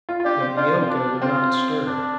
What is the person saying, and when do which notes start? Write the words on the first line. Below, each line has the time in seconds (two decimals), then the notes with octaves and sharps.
But Neeoka would not stir.
0.09 F4
0.20 F4
0.25 D4 G4
0.41 C4
0.57 D4 F4
0.79 C4
0.89 D4
1.22 C4 F4
1.87 D4